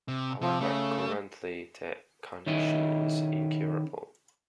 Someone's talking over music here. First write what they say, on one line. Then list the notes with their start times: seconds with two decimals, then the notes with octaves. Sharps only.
However, currently the condition is incurable.
0.08 C3
0.41 C3 F3
0.61 C#3 A3
2.46 D#3 C#4 E4 D#5